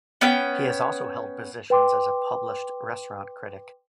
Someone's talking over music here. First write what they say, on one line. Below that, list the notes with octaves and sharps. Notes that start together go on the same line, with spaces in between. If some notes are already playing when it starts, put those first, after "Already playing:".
He has also held positions as a published restaurant critic.
B3 C#4 G5
B4 G5 C6 D6